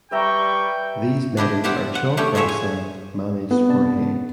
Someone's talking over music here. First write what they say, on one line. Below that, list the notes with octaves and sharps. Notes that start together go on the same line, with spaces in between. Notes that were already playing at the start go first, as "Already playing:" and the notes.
These meadows are chalk grassland managed for hay.
G3 B4 E5 G5 A#5 C#6
D4 E4 G4 D#5
B3 E4 G4 C5 F#5
F#5
G3 A3 G4 C#5 G5
A2 F3 G#4 C#5 E5
G#5
B3
C3 D4 A5
G#2 C#3